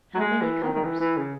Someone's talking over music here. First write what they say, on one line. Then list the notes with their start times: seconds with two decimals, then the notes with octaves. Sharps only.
"How many covers?"
0.15 F#3
0.20 G#3
0.42 E3
0.62 D#3
0.74 D#3
0.84 E3
1.00 E3
1.17 C#3